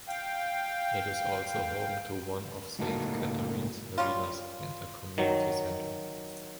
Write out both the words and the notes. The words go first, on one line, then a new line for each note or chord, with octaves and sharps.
It is also home to one of Saint Catharines' arenas, and a Community Centre.
F5 G5
C#2 A2 A#3 D#4 F#4 A5
G3 C#4 F4
D#3 F#3